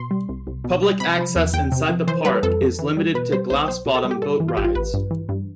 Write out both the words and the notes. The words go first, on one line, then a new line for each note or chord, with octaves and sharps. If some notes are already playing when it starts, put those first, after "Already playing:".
Public access inside the Park is limited to glass bottom boat rides.
Already playing: B2 C6
G3
C2
C2
B2
G3
C3 B5
F3
E2
E2 G5
C3
F3
E3 C5
G3 B4
F2 A4
F2
E3
G3
B2 B4
G3 C5
B1 C5
B1 C5
B2
A4
G3
G4
G2 A4
E3
F4
A1 G4
F4
A1 B4
G2
E3
G2